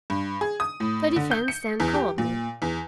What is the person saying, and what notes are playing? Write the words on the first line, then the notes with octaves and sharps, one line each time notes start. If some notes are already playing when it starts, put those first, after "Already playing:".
The defense then called me.
G2
G#4
D#6
A2
D3
G6
C#7
E2
G4
A#2
E2